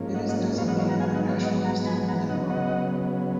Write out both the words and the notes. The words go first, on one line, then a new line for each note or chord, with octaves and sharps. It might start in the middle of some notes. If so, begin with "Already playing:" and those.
It is designated a National Historic Landmark.
Already playing: G#2 F3 A#3 C#4
D#5 F#5
D#5 F#5
G#2 F#3 B3 C#5 F5
D#5 F#5
C#5 F5
F#5 A#5
F5 G#5
D#5 F#5
C#5 F5
D#5 F#5
F#5 A#5
G#5 B5
F#5 A#5
C#3 F#3 B3 D#5 F#5
D#5 F#5